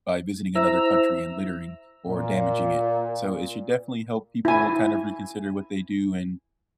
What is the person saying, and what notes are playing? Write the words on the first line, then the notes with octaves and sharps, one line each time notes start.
by visiting another country and littering or damaging it. So it should definitely help people kind of reconsider what they do and,
E4 C5 E5 A#5 E6
A#2
E4 G#5